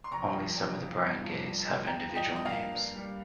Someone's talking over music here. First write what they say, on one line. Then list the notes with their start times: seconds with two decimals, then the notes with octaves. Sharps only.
Only some of the barangays have individual names.
0.04 C6
0.11 F1 A#5 C#6
0.34 F2
0.56 F1
0.77 C#3
0.99 G2
1.21 F3
1.43 G2
1.65 G#3
1.86 G2 G5 A#5
2.09 F3
2.15 D#5 G5
2.31 G2
2.36 D#5
2.45 F5
2.52 A#3
2.74 G2
2.96 G3